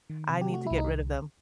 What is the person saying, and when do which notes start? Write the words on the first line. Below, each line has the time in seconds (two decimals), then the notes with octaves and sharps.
I need to get rid of them.
0.10 D#3
0.30 C3
0.41 G4
0.50 A3 F#4
0.67 C2 E4
0.78 D#4